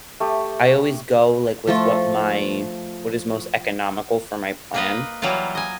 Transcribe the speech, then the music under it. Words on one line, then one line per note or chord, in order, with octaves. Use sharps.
I always go, like, with what my what is most economical for my plan.
A3 G4
F3 A3 F4
A#3 B4 D#5
E3 F#3 G3 E4 F4
D#5 G#5